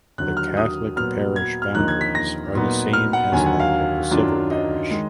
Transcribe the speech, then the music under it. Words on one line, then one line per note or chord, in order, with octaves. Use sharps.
The Catholic parish boundaries are the same as that of the civil parish.
D#2 D3 F#3 F#6
F6
D#6
A#2 F#3 B3 F6
G#6
F6
D#2 D3 F3 A#3 D#4 F#6
G#6
B6
A#6
A#2 F#3 B3 D#4
F6
F#5
D#2 D3 F#3 G#5
F#5
F5
F#2 D#3 F#3 D4 F4
D#5
D#3 G#3